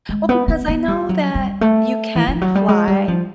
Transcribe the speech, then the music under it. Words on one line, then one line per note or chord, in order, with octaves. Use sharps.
Well, because I know that you can fly,
G#3
B3
B3
B3
G3
F#3
G3
A3
E3
F3
F#3
G3
G#3
G3
F3